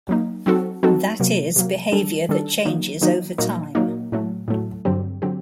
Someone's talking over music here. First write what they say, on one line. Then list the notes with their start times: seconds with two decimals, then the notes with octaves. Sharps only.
That is, behavior that changes over time.
0.09 F#3 A#3 D#4
0.46 F#3 C4 D#4 F#4 A4
0.83 F#3 C4 D#4 F#4 A4
1.20 C3 F#3 A#3
1.56 C3 F#3 A#3
1.92 D#3 G3 D4 A4
2.29 D#3 G3 D4 A4
2.65 D#3 F#3 A#3 D#4
3.01 D#3 F#3 A#3 D#4
3.38 A#2 F#3 A#3 D#4
3.75 A#2 F#3 A#3 D#4
4.12 A2 F#3 A3
4.48 A2 F#3 A3
4.85 G2 D3 F#3 C4 G4
5.22 D3 F#3 C4 G4